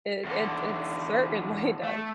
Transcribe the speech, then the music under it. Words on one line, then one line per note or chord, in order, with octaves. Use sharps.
It it it certainly does.
E2 D3
A3